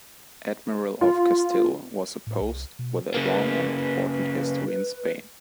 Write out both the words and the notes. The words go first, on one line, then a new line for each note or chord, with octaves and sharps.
Admiral of Castile was a post with a long and important history in Spain.
F4
A2
C2
B2
C#3 A#3 B4